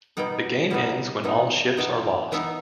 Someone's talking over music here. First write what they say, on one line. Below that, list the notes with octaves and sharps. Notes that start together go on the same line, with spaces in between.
The game ends when all ships are lost.
B2 G3 B3 D#4 G5
B2 G3 B3 D#4
E3 B3 D#4
E3 B3 D#4 G5
E3 B3 D#4 E5